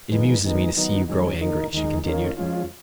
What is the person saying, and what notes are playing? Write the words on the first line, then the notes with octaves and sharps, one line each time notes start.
"It amuses me to see you grow angry," she continued.
F2 D#3 G#3 B3
D#3 G#3 B3 D#4
D#3 F#3 B3 D#4
F#2 D#3 G#3 C#4
D#3 A#3 D#4
D#2 D#3 G#3 D#4
D#3 A#3 C#4 F4
F2 F3 G#3 C#4 F4